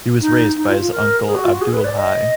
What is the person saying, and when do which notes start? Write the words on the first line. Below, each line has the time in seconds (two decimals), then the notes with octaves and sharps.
He was raised by his uncle Abdul Hai.
0.21 D#4
0.56 D#4
0.68 F4
0.80 F4
0.92 A#4
1.27 G#4
1.35 F#4
1.44 F4
1.52 F#4
1.61 G#4
1.73 B4
1.84 D5
1.96 D#5